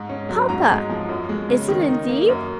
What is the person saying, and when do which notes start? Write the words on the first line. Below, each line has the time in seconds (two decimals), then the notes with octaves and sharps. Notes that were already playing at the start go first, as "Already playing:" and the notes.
"Papa! is it indeed?"
Already playing: G#2
0.09 C#4
0.29 F#3
0.49 G#2 A#5
0.70 G#3
0.90 F3
1.09 F#2
1.29 G#3
1.49 C#3
1.68 D#3
1.88 D#4
2.09 A#3
2.29 F#2